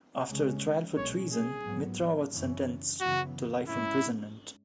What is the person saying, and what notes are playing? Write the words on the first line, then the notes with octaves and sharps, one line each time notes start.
After a trial for treason, Mitra was sentenced to life imprisonment.
C#2 C#3 G#3 C#4
B1 B2 G#3 C#4 C#5
G#4
G#2 F#3 B3
F#1 F#2 E3 C#4
F#2 C#3 E3 B3 F#4
G#2 G#3 C#4 E4